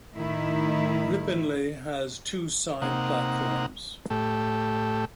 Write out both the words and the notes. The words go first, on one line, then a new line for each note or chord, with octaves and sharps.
Ripponlea has two side platforms.
A2 D#3 E4
C3 A#3 D#4 F#5
A2 A3 G4